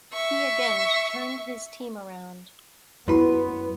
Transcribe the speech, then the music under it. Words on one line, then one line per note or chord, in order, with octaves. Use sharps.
He again turned his team around.
E5 C#6
F#2 B3 E4 F#4 G4 B4 C6